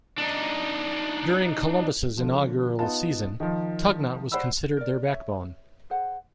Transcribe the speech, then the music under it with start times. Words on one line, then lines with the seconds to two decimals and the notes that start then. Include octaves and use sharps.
During Columbus' inaugural season, Tugnutt was considered their backbone.
0.18 D4 D#4
2.17 D3 F3
2.79 B3 D#4 F4 A5
3.40 D#3 F3
4.32 C5 D5 F#5 B5 E6
4.77 A#4 D5
5.03 C#5 E5
5.90 G#4 C5 F#5